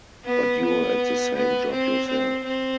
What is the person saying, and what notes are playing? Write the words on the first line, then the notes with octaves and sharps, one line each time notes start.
But you're at the same job yourself.
B3
B3
B3
C4
C4
C4